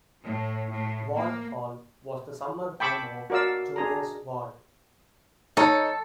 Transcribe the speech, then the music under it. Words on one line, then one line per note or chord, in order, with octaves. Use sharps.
Ward Hall was the summer home of Junius Ward.
A2
A2
A#3
G5 A5 B5 C#6 D6 E6
F#4 A#4 D5 F5 E6
D4 G#4 A#5
D#4 A4 C#5